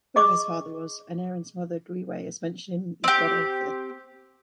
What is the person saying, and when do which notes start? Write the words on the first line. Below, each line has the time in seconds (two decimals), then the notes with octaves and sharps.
Whoever his father was, Aneirin's mother, Dwywei is mentioned in "Y Gododdin".
0.16 G#4 D#5 C#6 D6
3.04 C4 G4